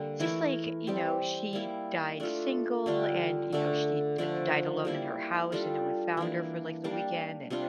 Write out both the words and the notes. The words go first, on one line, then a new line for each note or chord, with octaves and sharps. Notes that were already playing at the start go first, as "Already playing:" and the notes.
just like, you know, she died single and, you know, she, uh, b died alone in her house and no one found her for, like, the weekend, and
Already playing: D3 G3 A#3
E3 A3 E4 A#4
G3 C4 G4
G3 A#3 E4
A3 D4 F4 A4
D3 G3 D4 F4
D3 A3 D4 A4
D3 F3 A3 D4
G3 A#3 E4
G3 D4 F4 A4
E3 A#3 D4
G3 A#3 D4
C3 G3 D4 F4